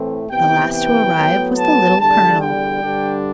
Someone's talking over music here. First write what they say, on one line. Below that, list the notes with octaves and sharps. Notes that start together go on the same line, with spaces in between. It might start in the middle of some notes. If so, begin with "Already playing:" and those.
The last to arrive was the Little Colonel.
Already playing: A2 E3 A3 C4
C3 E3 B3 G5
G5
A2 F#3 B3
A5
E2 D3 G3 A5
G5
G2 D3 G3 D4